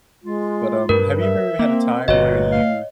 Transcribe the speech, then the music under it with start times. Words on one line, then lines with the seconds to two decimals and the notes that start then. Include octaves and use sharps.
But, um, have you ever had a time where you,
0.24 G#3 F4
0.89 G2 G3 A#4 B4
1.21 E5
1.59 A#3 C4
2.08 G1 A#2 F#4 B4 C#5 D#5
2.51 F5